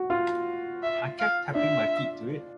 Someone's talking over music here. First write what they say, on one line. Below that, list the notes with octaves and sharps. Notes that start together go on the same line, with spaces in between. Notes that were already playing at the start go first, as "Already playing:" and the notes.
I kept tapping my feet to it.
Already playing: F#4
F4
E5
F5
D4 E5